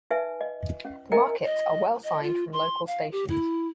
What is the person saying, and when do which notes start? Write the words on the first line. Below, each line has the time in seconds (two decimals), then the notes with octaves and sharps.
The markets are well signed from local stations.
0.10 D#4 B4 E5 G#5
0.41 D#5
0.85 C#4
1.12 A#4 D#5 E5 G5 G#5 A#5
1.45 D#5
2.04 D#5
2.23 F4
2.53 C6
2.87 F5
3.12 G4
3.29 E4